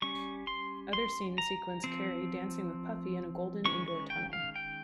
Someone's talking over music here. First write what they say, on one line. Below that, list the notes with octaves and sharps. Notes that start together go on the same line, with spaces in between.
Other scenes sequence Carey dancing with Puffy in a golden indoor tunnel.
G3 C#4 C#6
C6
C6
A#5
F3 C4
D#3 G#3 C#4 C#6
C#6
G5
F5
G5